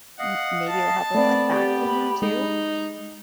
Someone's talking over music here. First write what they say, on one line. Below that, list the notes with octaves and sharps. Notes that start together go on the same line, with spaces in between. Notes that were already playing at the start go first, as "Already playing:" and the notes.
M maybe it'll help with, like, back pain, too?
D#5 F5 F#5
A5
A3 B3 C4 D5
G4
B5
G#3 D#4